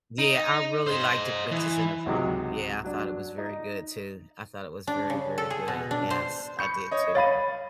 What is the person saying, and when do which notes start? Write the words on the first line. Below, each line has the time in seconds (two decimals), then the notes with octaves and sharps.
Yeah, I really liked The Princess and the Frog, yeah, I thought it was very good too, I thought it was very, very good, yes, I did too.
0.18 D#4
0.86 C5 D#5
1.51 E3
2.06 C#2 G#2 C3 F#3 G#3
2.84 F#3 D4
3.38 D#4
4.87 D4
5.10 C#3
5.38 A4
5.50 G#4
5.68 B2
5.91 D4
6.10 C5
6.59 B5 C#6 G6 C#7
6.91 C#5 D#5
7.15 C#5 F5 B5 A6 D#7